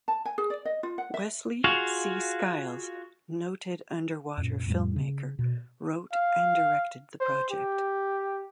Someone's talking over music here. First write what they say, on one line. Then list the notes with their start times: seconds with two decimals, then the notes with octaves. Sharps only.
Wesley C. Skiles, noted underwater filmmaker, wrote and directed the project.
0.08 A5
0.25 G#5
0.38 G#4
0.50 D5
0.65 D#5
0.83 F4
0.98 F#5
1.14 E5
1.64 F4 F#4 G#4 F5
4.38 F#2 A#2
4.66 F2 A2 G3
4.96 C#3
5.39 B2
6.12 F5
7.20 C5
7.50 G4